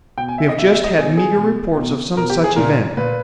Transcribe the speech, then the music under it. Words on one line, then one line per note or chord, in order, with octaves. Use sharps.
"We have just had meagre reports of some such event."
B2 G5
G#5
E5
D#5
B2 E5
E5
D#5
B2 G#4
G#4
B2
B2
B2 A#4
G4
G#4
A#2 A#4
A#2 B4